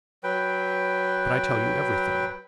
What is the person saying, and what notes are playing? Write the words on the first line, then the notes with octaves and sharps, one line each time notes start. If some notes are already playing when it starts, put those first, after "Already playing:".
"But I tell you everything."
F#3 B4 G5